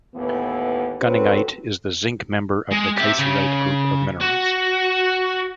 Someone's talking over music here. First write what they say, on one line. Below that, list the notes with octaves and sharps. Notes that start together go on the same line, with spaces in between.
Gunningite is the zinc member of the kieserite group of minerals.
D#2 A2 E3 B3
F#2 C4 A4 B4 C#5
G#3
G4 E5
C#3
F#4